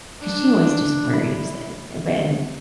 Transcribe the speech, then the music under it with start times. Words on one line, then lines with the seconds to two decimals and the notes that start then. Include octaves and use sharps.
'cause she always just worries, eh, but and
0.22 D4
1.13 E4